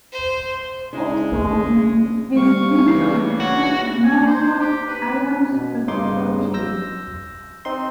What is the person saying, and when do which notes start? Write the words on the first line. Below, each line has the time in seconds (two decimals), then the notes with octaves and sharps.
Although in this meter the foot is no longer iambs but trochees.
0.12 C5
0.93 C#3 G#3 D4 E4
2.36 G3 F5 C#6
2.88 C#3 E3 C7
3.40 F#4 C#5
4.03 G#5
4.26 C5
4.60 G4
4.87 B4
5.52 B2
5.88 G2 C#3 D#4 C6 D6
6.54 E6 G6 A#6
7.65 C4 D#4 C6